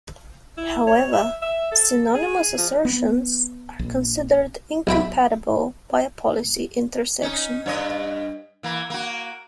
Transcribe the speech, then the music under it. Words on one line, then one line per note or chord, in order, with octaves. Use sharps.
However, synonymous assertions are considered incompatible by a policy intersection.
E4
C#5
E5
E5
A4
G#4
F3
B3
A#1
B1 E4 G5 B5
C#4 D#4
G2 C#5 D#5
E3 A#3
A#3 F#4